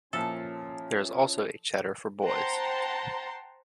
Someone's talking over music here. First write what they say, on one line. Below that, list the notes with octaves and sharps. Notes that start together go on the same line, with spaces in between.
There is also a cheder for boys.
A#2 F3 C#4 E4 F4 A4 C#5
C5 F#5 G5 A5 A#5 C6